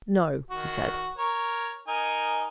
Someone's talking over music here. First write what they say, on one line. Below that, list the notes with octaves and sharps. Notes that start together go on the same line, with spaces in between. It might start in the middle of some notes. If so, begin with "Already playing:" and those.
"No," he said.
D#3 F#4
A#4 C#5
D#4 A#4 G#5